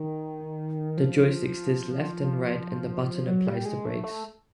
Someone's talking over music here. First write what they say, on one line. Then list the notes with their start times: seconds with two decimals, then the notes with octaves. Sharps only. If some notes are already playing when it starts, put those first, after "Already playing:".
The joystick steers left and right and the button applies the brakes.
Already playing: D#3
0.97 F3
3.27 F#3
3.47 G3
3.65 G#3
3.85 A3
4.03 A3